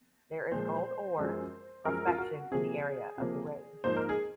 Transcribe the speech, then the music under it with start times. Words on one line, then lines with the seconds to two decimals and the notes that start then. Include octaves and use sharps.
There is gold ore prospection in the area of the range.
0.52 A#2 F3 G#3 C5
1.18 F#2 F3 G#3
1.85 F#2 F3 G#3 A#4
2.07 F4
2.18 F#4
2.51 C3 F3 A#3 G#4
3.18 C3 F3 A#3
3.84 G#2 F3 A#3 C5
3.96 A#4
4.09 G#4